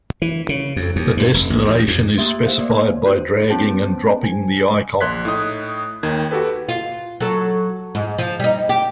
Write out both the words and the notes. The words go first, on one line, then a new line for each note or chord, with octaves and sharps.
The destination is specified by dragging and dropping the icon.
E3
C#3
F2
D#2
G2
F1
A#1
D#2
F2
A3 A#3 G4 E5 C6 A6
C5 E5 F5
A#3 D5
F#4 C5
B3 C#4 C5 G5 A5 D7
G#5
A#1 C6 F#6 G#6 B6
A2 D#4 D#6
D#2 D#3 G#6
F#4 G4 A4 B4
F4
F#3 A4
G#2
F3
G3 D#4
G4